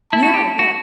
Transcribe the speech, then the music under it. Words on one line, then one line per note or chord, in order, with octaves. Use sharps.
Yeah, yeah.
E4 A5
F#4
G4
F#4